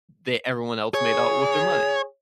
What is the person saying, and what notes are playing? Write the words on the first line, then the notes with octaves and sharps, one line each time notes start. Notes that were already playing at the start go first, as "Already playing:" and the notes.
They everyone else made out with their money.
G#4 C#5